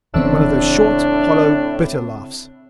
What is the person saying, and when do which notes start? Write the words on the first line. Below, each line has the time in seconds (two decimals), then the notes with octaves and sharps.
One of those short, hollow, bitter laughs.
0.14 D#1 A2 C#3 E3 B3 C4 D4 E6